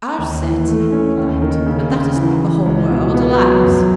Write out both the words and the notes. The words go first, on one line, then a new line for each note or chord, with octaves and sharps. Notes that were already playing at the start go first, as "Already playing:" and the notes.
"Our set," he laughed, "but that is not the whole world, alas!"
D#2
E3
A3
C#4
D#2
D#3
C#3
C#3
E3
E3
C#2
B2
B3
F#3
F#2